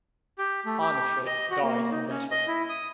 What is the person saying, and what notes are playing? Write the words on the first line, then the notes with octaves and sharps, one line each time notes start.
Arnefrit died in battle.
G4
A3
G4
D#5
F#4
A#3
D#4
C#4
D#5
E4
D#6